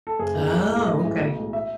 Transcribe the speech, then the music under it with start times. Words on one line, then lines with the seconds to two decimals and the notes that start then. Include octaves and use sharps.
Oh, okay.
0.07 A4
0.19 F#1 G#4
0.36 E2 D#3
0.53 B1
0.70 A2 G#3
0.86 A1 D#5
1.03 G#2 E3 A3
1.20 B1
1.36 A2 G#3
1.53 E5